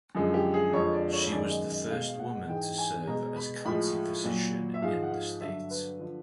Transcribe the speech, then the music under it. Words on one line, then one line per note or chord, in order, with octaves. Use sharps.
She was the first woman to serve as County Physician in the state.
F#2 D3 F3 G#3
G4
G#4
F2 D3 F3 G#3 C#5
D5
C#5
C#5
F#2 D#3 G#3 D5
D#5
D#5
B2 G#3 F5
F5
F#5
G#2 E3 G#3 G5
G#5
B2 G#3 A#5
B5
A2 F3 G#3 B5
A#2 F#3
E5
G#2 F3 G#3 F5
F#5
F5
G2 D3 F#3 E5
B4
D3 F3